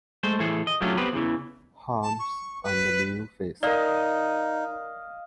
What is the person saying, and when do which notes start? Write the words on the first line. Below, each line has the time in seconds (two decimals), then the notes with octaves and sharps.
Harms, and Leo Feist.
0.23 G#3 A3 C5
0.40 A2 E3 G#4 A4
0.67 D#5
0.81 F#3 A3 C#4 D4 F4 G4
0.97 B3 C4 G4 B4
1.13 E2 C#3 E3
2.02 A5
2.19 C#6
2.63 B4
3.63 D#4 A#4 D5 D#5 F5